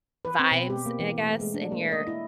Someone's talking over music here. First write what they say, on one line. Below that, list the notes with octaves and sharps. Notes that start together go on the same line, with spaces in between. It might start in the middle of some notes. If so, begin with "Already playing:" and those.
vibes, I guess, in your
B4
C4
B2
G4
A#3
E3
A3
G#3
D4
A#3
D#5
E4